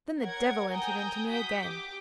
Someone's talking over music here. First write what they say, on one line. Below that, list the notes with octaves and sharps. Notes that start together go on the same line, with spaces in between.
Then the devil entered into me again.
A#4 C#5 F#5 G#6
G5 G#5 A#5 D#6 G6
F#4 D#6 G6 B6
G4 D6